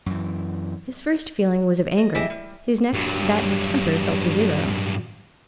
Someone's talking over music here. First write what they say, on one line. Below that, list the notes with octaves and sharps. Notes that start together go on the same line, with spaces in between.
His first feeling was of anger; his next that his temper fell to zero.
F#2 E3
D#5
E4 G4 G#4 D#5
G3
G2 F#3